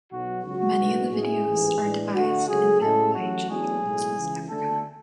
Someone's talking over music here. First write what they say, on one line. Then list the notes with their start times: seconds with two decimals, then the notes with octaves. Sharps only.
Many of the videos are devised and filmed by children across Africa.
0.11 B1 B2 F#3 F#4
0.44 C#2 C#3 F#3 F#4
0.79 B1 A2 G#3 B3 D4
1.12 A2 G#3 C#4 E4 G#4
1.46 A1 G#2 E3 A3
1.80 A2 E3 G#3 D4
2.14 D2 D3 A3 F#4
2.47 C#2 C#3 F#3 A3 G#4
2.80 A2 G#3 C#4 E4 A4
3.15 A1 A2 F#3 F#4
3.48 A1 A2 F#3 B3 D4 G#4
3.82 B1 A2 G#3
4.16 C#2 C#3 E3
4.49 D2 D3 A3 D4 A4